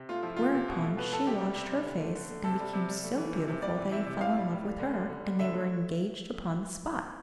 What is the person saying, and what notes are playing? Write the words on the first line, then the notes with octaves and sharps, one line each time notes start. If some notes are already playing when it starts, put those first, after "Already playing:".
Whereupon she washed her face, and became so beautiful that he fell in love with her, and they were engaged upon the spot.
Already playing: C3
A3 F4
F3 E4
C3 F4
C3
B2
A3
B2 B4
A3 A4
C3 G4
G3
C3
G3
D3
A3
D3
A3
C3 A4
G3
C3
G3
A3
E3
C3
C3
G3 D5
E3
C3 E5
C3
A2 F5
G3
A2
G3
D3
G3
D3
G3
D3 E5
A3